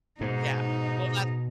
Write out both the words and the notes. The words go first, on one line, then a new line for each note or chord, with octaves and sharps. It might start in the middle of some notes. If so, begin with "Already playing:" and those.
Yeah, well, that's
G#2 B2 D#4